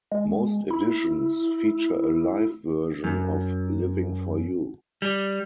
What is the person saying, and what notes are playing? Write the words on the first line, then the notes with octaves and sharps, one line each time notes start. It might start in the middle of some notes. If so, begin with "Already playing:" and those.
Most editions feature a live version of "Livin' for You".
G#3
E4
F#2
G3